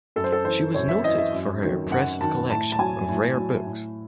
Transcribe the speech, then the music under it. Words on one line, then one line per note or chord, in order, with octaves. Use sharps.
She was noted for her impressive collection of rare books.
F#2 A4
C5
A4
E3 C5
F#2 C#5
E5
E3 D#5
E5
F#2
D#3 F#3
F#2 F#5
D#3 F#3 A5
A2 A5
A5
F#3 G#5
A2
F#3
A2